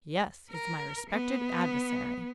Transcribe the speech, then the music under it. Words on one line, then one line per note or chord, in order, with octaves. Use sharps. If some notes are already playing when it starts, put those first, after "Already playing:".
"Yes; it's my respected adversary."
A#4
B3